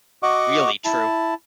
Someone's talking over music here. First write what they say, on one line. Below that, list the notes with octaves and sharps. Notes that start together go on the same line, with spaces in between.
Really true.
F#4 D#5 F#5 C#6 D6
E4 A5